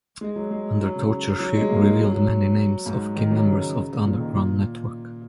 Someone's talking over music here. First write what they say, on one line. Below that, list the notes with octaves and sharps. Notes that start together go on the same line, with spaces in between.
Under torture she revealed many names of key members of the underground network.
G#3
F#3
G#3
F#3
C#3
F#3
G#3
A#3
G#3
F#3
F#3
G#2
D#3
F#3
C#3
A#2
D#3
A#2